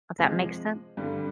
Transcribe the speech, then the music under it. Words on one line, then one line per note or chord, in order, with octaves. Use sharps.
If that makes sense.
C3 F3 G#3 C4
G2 D3 G3